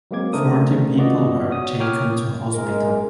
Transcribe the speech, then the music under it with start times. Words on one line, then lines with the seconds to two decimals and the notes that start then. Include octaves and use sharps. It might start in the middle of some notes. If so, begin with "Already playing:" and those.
Forty people were taken to hospital.
0.11 F#3 G#3 A#3 C4 D6 G#6
0.33 C#3 A3 D4 A#4 C5 D#6
0.96 B3 F4 F#4 D5 D#5 F#5
1.51 F#4 C#5 D#6
1.80 A#4 C#5 G5 D6 D#6 F6
2.52 G#2 G#3 A#4